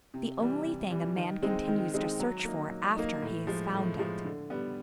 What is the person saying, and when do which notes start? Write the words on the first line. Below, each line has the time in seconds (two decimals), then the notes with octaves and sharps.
The only thing a man continues to search for after he has found it.
0.14 C3
0.40 E3 G3
0.66 C3
0.91 E3 G3
1.17 D#3
1.42 G#3 C4 D#4
1.67 D#3
1.94 G#3 C4 D#4
2.20 F#3
2.45 A#3 D#4
2.70 F#3
2.96 A#3 D#4
3.22 A2
3.47 F3 G#3
3.73 A2
3.99 F3 G#3
4.25 D3
4.50 G3 B3